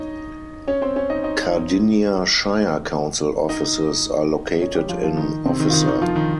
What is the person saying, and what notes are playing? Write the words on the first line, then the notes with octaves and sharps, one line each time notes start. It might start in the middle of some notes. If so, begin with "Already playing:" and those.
Cardinia Shire Council Offices are located in Officer.
Already playing: D#4 C#5 D#5
C#4 C#5
C4 C5
C#4 C#5
D#4 D#5
D#4 D#5
D#4 D#5
C#4 C#5
G3 G4
F3 F4
F3 F4
D#3 D#4
C3 C4
D#3 D#4
F4
D#3 D#4
D#3 D#4
F3 F4
D#3 D#4